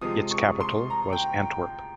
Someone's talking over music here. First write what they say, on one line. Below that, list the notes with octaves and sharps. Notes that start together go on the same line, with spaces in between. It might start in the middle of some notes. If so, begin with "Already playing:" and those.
Its capital was Antwerp.
C3 F3 G#3 D#6
C#6
C6
A#5
G5